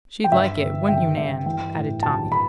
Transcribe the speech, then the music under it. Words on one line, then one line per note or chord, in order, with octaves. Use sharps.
"She'd like it; wouldn't you, Nan?" added Tommy.
G5
G2 E5
G1
G1 G5
G2 E5
E3 G5
A2
B1 A5
B5